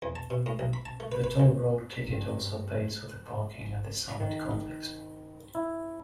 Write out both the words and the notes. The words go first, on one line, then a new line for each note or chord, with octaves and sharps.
The toll road ticket also pays for the parking at the Summit Complex.
E2
A5
B2
A2
B1
B5
A5
A3
B4
B4
D2
G2
D#3
E4